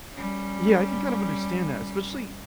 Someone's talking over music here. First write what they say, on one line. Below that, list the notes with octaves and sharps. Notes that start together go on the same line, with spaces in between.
Yeah, i I can kind of understand that, especially
G3 C#4